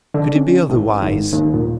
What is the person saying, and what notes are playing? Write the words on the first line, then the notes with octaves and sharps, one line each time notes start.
Could it be otherwise?
D3
C#4
A1
G#1
D#2
A#2